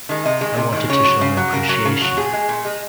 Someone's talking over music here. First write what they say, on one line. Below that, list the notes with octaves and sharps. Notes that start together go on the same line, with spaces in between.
I wanted to show my appreciation.
D#3 G#3
C3 D#5
D#3 G#3
C3
D#3 G#3
C#3 C#5
F#3
C#3
F#3
C#3 A#4
F#3
C#3
F#3
A#2 G#4
G#3
A#2
G#3